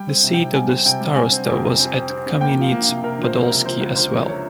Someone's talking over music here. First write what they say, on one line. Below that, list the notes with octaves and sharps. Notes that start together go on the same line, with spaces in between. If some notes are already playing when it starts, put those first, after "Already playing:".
The seat of the starosta was at Kamieniec Podolski as well.
Already playing: G3 G5
C4
C3
C3 G5
G3 G#5
C4
C3 G5
G3
G3 G#5
C4
F2
C3
C4
C4
C4
C4
A#3 G5
F3
F5
A#3
F5
C3
C3 A#4
F3 C5
C#2
A#4
C3
F3 C5
C#2
F3 C5
F3
C#5